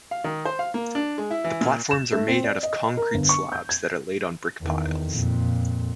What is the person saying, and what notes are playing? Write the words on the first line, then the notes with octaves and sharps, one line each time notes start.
The platforms are made out of concrete slabs that are laid on brick piles.
F5
D#3
C5
F5
A#3
D4
G#3
E4
E3
A#2
E7
A3
C4
D5
D#5
A#4
G1
C#6
G6
G#6
E2 D#3
F2 A#2